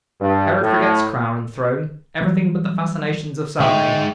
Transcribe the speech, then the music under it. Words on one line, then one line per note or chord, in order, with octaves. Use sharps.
Herod forgets crown and throne,--everything but the fascinations of Salome.
G2
A2
E3 F#3 G3
D3 G#3 D#4 E5 G5 C#6